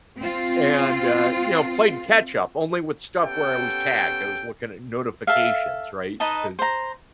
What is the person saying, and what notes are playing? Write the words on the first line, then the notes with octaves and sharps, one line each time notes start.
and, uh, you know, played catch-up only with stuff where I was tagged, I was looking at notifications, right? 'Cause
C4 F4
B3 C#4 G4 A4 G5
A4 E5 F5
D#4 B4 D#5 A5
C5 A#5